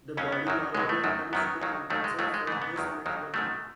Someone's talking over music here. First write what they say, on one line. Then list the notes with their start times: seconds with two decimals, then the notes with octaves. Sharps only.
The body normally attempts to compensate for this metabolically.
0.17 D#2 C#3 F#3 C#4
0.32 B3
0.47 F#2 D#3 F#3
0.75 C#2 B2 F#3 G#3
0.89 A3
1.04 F#2 D#3 F#3
1.33 F#2 D#3 F#3 B3
1.61 D#2 D#3 F#3
1.90 D#2 D#3 F#3 A3
2.04 G#3
2.19 D#2 D#3 F#3 A3
2.34 G#3
2.47 G#2 E3 A3
2.62 B3
2.76 E2 D#3 F#3
3.06 D#2 D#3 F#3
3.34 G#2 D#3 F#3 A3